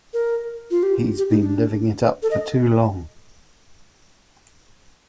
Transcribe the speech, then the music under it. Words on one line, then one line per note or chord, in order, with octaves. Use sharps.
He's been living it up for too long.
A#4
F4
G4
G4
D#4
D4
A4
D#5